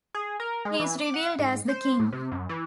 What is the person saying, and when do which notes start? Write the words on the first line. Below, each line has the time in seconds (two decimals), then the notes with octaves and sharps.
He is revealed as the King.
0.15 G#4
0.40 A#4
0.65 G#3
0.80 E3
0.98 D6
1.14 F#5
1.39 G#2
1.69 C5
2.00 A2
2.12 C3
2.32 F#2
2.49 E3